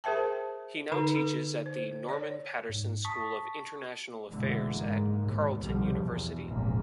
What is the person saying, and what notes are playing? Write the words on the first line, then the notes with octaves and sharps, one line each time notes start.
He now teaches at the Norman Paterson School of International Affairs at Carleton University.
G#4 A#4 C5 E5 G5 A5
D3 D#4 A4 B4 B5
A4
C5
C#5 D5
G#2
A5 C#6 D#6 B6
F#1 B2 D3 E3 G#3 A3
G#2 G#3 A#3
D#2 G#2 B2
C2 B2 D3 F3 G3
E2 G2 B2
F1 A#1 E2 G#2 A#3